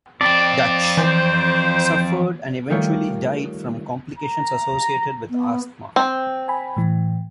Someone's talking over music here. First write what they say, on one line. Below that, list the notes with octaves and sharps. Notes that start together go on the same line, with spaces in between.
"Dutch" suffered and eventually died from complications associated with asthma.
F2 C4 D5
E3 C5
D#3 G3 A3 F4 G4 C#5
A#5
B3
C4
G#5 B5
A2 E3